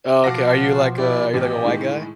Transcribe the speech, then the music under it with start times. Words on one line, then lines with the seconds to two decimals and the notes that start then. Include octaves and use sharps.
Oh, okay. Are you like a are you like a white guy?
0.24 B2 F3 F#4 F5 F#5 A5 D6 A#6
0.98 E4 G4 D5
1.34 A1 G4
1.64 A2 D#3 G#3